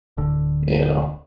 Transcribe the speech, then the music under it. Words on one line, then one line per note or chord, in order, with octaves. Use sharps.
you know?
D1 D3